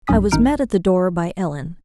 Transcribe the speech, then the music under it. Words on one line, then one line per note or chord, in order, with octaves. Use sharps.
I was met at the door by Ellen.
B1 G2 C#4 D#6 B6
G#1 F#2 D#4 F6 D7